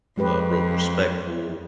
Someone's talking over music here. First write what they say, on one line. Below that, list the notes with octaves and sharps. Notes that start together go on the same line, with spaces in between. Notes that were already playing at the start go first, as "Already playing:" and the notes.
uh, real respectful,
F2 G#3 G4 B4